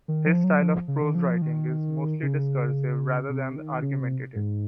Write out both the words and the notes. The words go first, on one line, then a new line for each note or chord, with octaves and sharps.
His style of prose writing is mostly discursive rather than argumentative.
D#3
F3
F#3
F3
C#3
D#3
F3
D#3
C#3
C3
D#3
C#3
C3
G#2